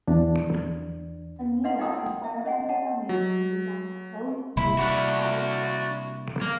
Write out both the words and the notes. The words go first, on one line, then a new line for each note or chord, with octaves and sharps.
Anita, inspired by her dalmatian, designs a coat made with spotted fur.
E2 D4
D4 B4 D#5 F5 F#5 C6
D#4 F4 G5 A#5 D#6 E6
E5
C#4 D#5 F#5 G#5
D#5 F#5 A5 A#5
F#3
C3 G3 A#3 E4
D4 F#4
A#3